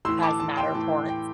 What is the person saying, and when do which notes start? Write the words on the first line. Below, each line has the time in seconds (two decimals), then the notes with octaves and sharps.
has Matterports
0.05 A2 E3 C6 E6
0.22 A5 D6
0.40 A5
0.57 G5 C6
0.74 A2 E3 A5
1.09 G5